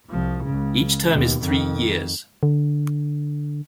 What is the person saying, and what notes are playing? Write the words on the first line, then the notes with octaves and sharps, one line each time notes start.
Each term is three years.
C2 F3
C#2 C#3
D#2 B2
F2 D#3
D3